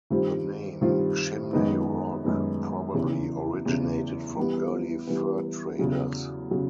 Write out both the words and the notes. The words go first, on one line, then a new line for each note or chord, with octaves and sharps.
The name "Chimney Rock" probably originated from early fur traders.
G2 D#3 G3 C4 F4
G2 D#3 G3 C4 F4
F#2 D#3 G#3 B3 D#4
F#2 D#3 G#3 B3 D#4
E2 C#3 E3
E2 C#3 E3
E3 G3 B3
E3 G3 B3
E2 C#3 F#3
C#3 F#3